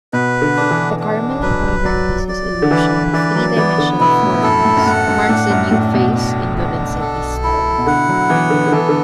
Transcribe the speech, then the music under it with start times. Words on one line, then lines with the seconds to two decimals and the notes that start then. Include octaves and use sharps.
The Carmelite altarpiece's illusion of three-dimensional forms marks a new phase in Lorenzetti's style.
0.13 B2 B4
0.42 D3
0.56 D3 D4
0.71 E3
0.99 D4
1.42 F#3 B4
1.85 F#3 D5
2.28 D5
2.62 D3
2.71 E3 B4
3.13 E3 D5
3.35 F#3
3.57 E3 B3
3.78 D3
4.00 B2 E4
4.22 A2
4.43 F#2 A4
4.65 A2
4.77 F#2
4.86 A2 F#5
5.08 F#2
5.29 A2 D4
5.50 F#2
5.71 A2 D4
5.94 B2
6.14 D4
6.58 D4
7.01 A4
7.44 E4
7.78 B2
7.86 D3 F#5
8.08 F#3
8.29 E3 B3
8.50 D3
8.67 D3
8.72 E3 A4
8.89 D3